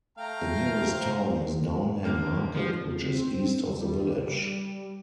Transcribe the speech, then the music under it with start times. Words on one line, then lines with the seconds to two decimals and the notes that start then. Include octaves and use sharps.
The nearest town is Downham Market which is east of the village.
0.18 A3 F5 G5 A#5
0.91 C5
2.04 D3 A#3 G4
2.55 F3
3.00 C4
3.68 G3